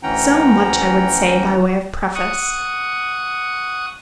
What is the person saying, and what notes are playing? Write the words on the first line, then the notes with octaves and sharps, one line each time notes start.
So much I would say by way of preface.
D2 E3 C#4 F#5 G5 A#5
F#5 C#6 D#6